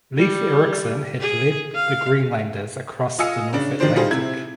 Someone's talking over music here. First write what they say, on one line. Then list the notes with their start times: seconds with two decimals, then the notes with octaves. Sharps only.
Leif Erikson has led Greenlanders across the North Atlantic.
0.18 G3
1.20 G#4
1.75 F5
3.19 F4 D#5 G#5 E6 C#7
3.53 C#3 D4
3.80 D#3 F3 D4 C5
3.96 G3 D#4 F4 G#4 C5
4.11 C3 E4 G#6